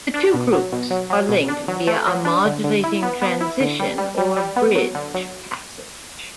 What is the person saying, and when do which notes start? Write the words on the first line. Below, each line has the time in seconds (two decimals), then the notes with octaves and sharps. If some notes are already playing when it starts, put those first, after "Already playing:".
The two groups are linked via a modulating transition, or bridge, passage.
0.14 D4
0.34 B2
0.52 F#3
0.72 B2
0.90 F#3
1.10 F#3
1.29 B2
1.48 D4
1.68 F#3
1.87 A3
2.07 F#3
2.25 D4
2.45 D3
2.64 D3
2.84 E4
3.03 B3
3.22 B3
3.41 E4
3.60 D3
3.80 G3
3.98 G3
4.18 G3
4.37 G3
4.56 B3
4.75 F#3
4.95 D3
5.14 F#3